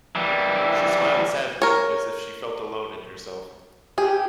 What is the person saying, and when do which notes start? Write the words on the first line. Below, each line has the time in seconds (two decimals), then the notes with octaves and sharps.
She smiled sadly, as if she felt alone in herself.
0.15 E3 G3
1.62 A#4 C#5
3.98 G4 G#4